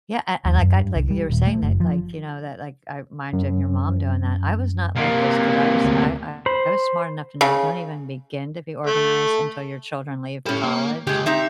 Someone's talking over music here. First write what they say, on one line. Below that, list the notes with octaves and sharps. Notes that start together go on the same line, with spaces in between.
Yeah, a and like, I like you were saying that, like, you know, that, like, it reminds you of your mom doing that. I was not like this 'cause I was I I was smart enough to know don't even begin to be organized until your children leave for college.
D#2
F#2
G2
C2
G3
D#1
A3
F#1
F3
F#2
C3 A#3
D2
C5 B5
C#3
A3
G3 C#4 E4 A4
A#3
C#2 G4 G#4
C4 D#4 G4 E5